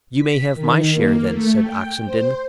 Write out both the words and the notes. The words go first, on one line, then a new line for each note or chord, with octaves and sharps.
"You may have my share, then," said Oxenden.
B6
D#3
A#3
A3
G5
C5